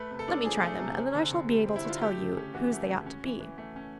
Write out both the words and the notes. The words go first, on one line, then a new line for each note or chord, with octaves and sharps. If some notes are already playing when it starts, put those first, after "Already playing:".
'Let me try them, and then I shall be able to tell you whose they ought to be.'
Already playing: A3 B4
C3
A4
D4
F3 G#4
A3
C3
C4
D3
D3
G3
C4
E4
D3 F4
A3 G4
C#3
C#4
E3 F#4
A3
C#3
C#4
E3
E3
A3
C#4